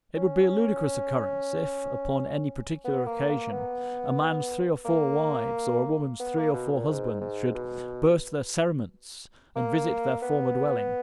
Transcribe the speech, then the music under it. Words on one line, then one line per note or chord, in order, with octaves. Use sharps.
It would be a ludicrous occurrence, if, upon any particular occasion, a man's three or four wives, or a woman's three or four husbands, should "burst their cerements," and visit their former dwelling.
C#4
B3
A#3
A#3
B3
A#3
B3
A#3
B2
A#2
G#2
G#2
B2
A#3
B3